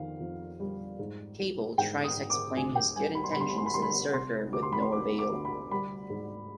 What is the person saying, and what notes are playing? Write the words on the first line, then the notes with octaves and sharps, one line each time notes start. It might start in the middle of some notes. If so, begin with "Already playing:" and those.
Cable tries to explain his good intentions to the Surfer with no avail.
Already playing: F2 D#3 F5
F2
G3
G#2
G#2
G#2 G5
D#6
G#2
D6
D2 G#5
G5
G3 G#5
B5
C6
G3 B5
C6
B5
C6
B5
G3 C6
B5
C3 C6
D2 D6
C6
B5
C6
D2 D6
D6
D2
B5
G3 B5
G#2